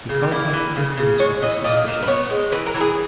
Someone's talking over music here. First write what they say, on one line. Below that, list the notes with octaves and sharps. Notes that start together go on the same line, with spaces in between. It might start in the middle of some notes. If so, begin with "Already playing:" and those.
He contacts the police with his suspicions.
C#3
G4
A#3 E4
E3
C#3
C#3
G#3 C#5
E3 D#5
A#2 D#5
A#2
B4
B3 C#5
G#3
E3 B4
A#4
E3
G#4